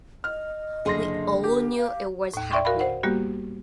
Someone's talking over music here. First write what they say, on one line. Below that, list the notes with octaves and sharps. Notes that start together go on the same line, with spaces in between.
We all knew it was happening.
D#5 F6
F#1 D3 G#4 C6 A#6
G4 A#4
F5
D#2 A2
D5 E5 G5 C6 C#6
F#4 A#4 F5 B5
C5 F#5
G3 A#3 B3 F#4 G4